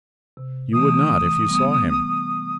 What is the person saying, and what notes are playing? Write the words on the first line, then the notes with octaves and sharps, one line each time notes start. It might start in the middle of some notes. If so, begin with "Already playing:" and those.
You would not if you saw him.
C3
E3 A3 D#6
G3 B3